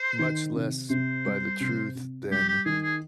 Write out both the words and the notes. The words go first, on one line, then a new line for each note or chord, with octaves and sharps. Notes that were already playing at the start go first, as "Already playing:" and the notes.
much less by the truth than
Already playing: C5
D#3
C3
C3 C5
G3
C3
C3
G3 G4
G4
D#3 G#4
G#4